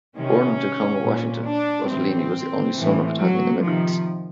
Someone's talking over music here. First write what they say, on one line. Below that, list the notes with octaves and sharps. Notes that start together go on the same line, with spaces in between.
Born in Tacoma, Washington, Rosellini was the only son of Italian immigrants.
C3 D#3 C#4
A#2
D4
A2 E3 C4
A2 E3
F#3
C3 D#3 F3